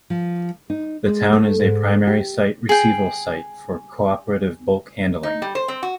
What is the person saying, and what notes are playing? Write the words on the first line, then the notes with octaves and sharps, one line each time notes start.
The town is a primary site receival site for Cooperative Bulk Handling.
F3
D#4
G#3
A3
G#2
G4
G#4 G5
D#4
G3
C5
C4
F#4